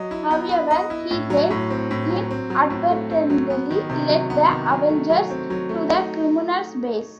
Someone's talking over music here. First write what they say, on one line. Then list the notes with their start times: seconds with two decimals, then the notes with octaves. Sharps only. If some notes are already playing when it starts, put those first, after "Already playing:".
However, he then inadvertently led the Avengers to the criminals' base.
Already playing: F#3 D#5
0.11 E4
0.31 B3
0.51 B4
0.71 D#5
0.90 E4
1.11 A2
1.30 F#3
1.51 A2
1.71 C4
1.91 A2
2.10 F#3
2.31 C4
2.50 F#3
2.70 A2
2.90 A3
3.10 C4
3.30 F#3
3.50 B3
3.71 D#3
3.90 C3
4.10 F#3
4.30 B3
4.50 D#3
4.70 F#3
4.89 A3
5.10 F#3
5.30 C4
5.50 F#3
5.69 A3
5.89 D#4